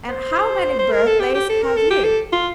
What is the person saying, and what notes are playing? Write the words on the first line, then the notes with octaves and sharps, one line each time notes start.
'And how many birthdays have you?'
C5
C5
A#4
A4
G4
G4
A4
A#4
A4
G4
A4
F4